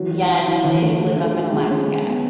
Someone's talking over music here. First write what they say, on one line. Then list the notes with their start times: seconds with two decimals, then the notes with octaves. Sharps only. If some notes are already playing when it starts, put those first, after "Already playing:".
Yeah, no, they live up in Alaska.
Already playing: E3 F#3
0.11 F#3
0.28 F#4
0.47 E4
0.64 E3
0.82 A3
1.00 A3
1.16 A3
1.34 A3
1.52 G#3
1.70 C#4
1.88 G#3
2.05 B3